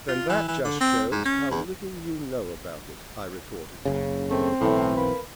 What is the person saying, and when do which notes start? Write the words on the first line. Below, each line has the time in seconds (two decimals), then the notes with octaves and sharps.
"Then that just shows how little you know about it," I retorted.
0.08 F4
0.29 E3
0.48 E3
0.64 D3
0.80 C4
1.12 G#2
1.25 C#4
1.51 E2
3.85 F#1 C#3
4.30 D#3 A3 C4
4.61 B1 A2 E3
4.97 A#3 B4